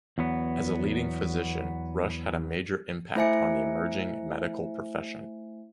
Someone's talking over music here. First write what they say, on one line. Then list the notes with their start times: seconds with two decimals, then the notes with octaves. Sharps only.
As a leading physician, Rush had a major impact on the emerging medical profession.
0.18 E2 F#3 B3
3.16 A3 E4 C5 E5 G#5 C#7